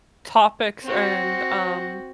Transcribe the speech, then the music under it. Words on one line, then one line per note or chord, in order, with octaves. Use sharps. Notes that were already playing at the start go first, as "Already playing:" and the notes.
topics and um
C4 F#4